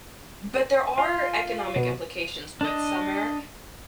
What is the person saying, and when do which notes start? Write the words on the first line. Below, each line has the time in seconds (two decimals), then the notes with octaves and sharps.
but there are economic implications with summer.
0.98 F4
1.76 B2
2.61 D4 D#5